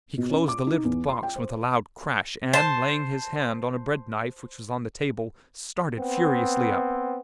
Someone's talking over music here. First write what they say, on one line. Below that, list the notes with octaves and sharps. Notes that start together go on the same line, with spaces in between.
He closed the lid of the box with a loud crash; and, laying his hand on a bread knife which was on the table, started furiously up.
B2
C#4
D6
D#4
E2
C6
G5
C5
C5 A5
B3 C4